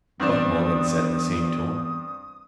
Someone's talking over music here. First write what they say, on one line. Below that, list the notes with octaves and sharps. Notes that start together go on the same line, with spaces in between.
Buck Mulligan said in the same tone.
E2 G2 C4 D4 D#6